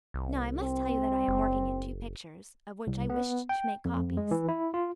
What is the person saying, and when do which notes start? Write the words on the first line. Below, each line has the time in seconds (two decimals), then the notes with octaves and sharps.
Now I must tell you that I am working at two pictures of which I wished to make copies.
0.14 C2
0.62 C4
1.28 F#1
2.87 C2
3.10 B3
3.49 G5
3.85 F2
4.17 G#3
4.31 E3
4.48 E4
4.74 F4